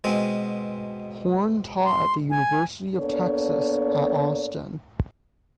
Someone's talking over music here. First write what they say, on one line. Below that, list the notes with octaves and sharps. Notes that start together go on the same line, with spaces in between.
Horn taught at the University of Texas at Austin.
B2 G#3 C4
C6
G#5
A#3 B3 D4 A4 C#5 D5